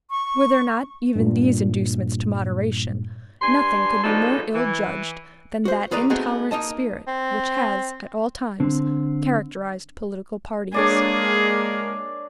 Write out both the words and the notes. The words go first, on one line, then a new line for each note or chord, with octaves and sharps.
Were there not even these inducements to moderation, nothing could be more ill-judged than that intolerant spirit which has, at all times, characterized political parties.
C#6
G2 A#2
G2 D4 G#5 C6
B2 F3 G#3 D4 D#4 A4
E3
F#4 C5
E2 G#4 B4 D5 A#5
A3 B3 C4 D#4 F#4 G#4
A#3 D#4 D#5 A5
C4
D3 C4
G#3 A#3 D4 G#4 C#5 D5